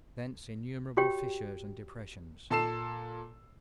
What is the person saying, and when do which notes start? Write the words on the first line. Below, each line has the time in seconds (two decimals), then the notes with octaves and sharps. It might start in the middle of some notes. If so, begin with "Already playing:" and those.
Thence innumerable fissures and depressions.
0.97 F#4 G4 C#5 G5
2.50 A#2 A4 A5 E6 C7 E7